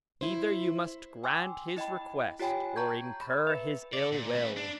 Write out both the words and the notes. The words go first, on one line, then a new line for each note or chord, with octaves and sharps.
Either you must grant his request or incur his ill will.
E4 C5
G5 G#5 C6 D6 E6
E4 D#5 G5 B5
F4 G4 C#5 G5 G#5 B5
G5 A5 A#5 C#6 G6 G#6
B5
B4 E5
A4 D5
A#2
A3 B4
D4